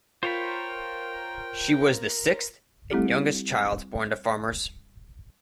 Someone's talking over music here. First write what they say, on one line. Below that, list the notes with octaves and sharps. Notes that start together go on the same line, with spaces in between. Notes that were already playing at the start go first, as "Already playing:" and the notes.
She was the sixth and youngest child born to farmers.
F4 A#4 C5 C#5 G5 B5
G3 C4 E4 G4